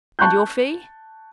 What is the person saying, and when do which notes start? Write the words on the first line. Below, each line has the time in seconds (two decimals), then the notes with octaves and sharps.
"And your fee?"
0.19 A5 C#6 F#6 G6